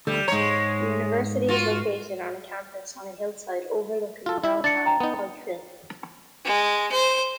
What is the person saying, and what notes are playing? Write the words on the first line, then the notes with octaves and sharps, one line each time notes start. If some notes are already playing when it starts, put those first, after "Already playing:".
The university is located on a campus on a hillside overlooking downtown Pikeville.
D2 G3 A4
G#2 G#3 C#5 A#5
F4 F#4
F4 A4
E4 E5
D4 A6 C#7
G5 A#5
B3 D#4
G#3
C5